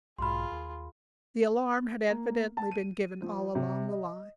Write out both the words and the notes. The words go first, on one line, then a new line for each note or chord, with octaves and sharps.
The alarm had evidently been given all along the line.
B1 G#2 F4 G#4 B5 C6 F6
D#2
A#3
A5
D#7
F3
C3
D#5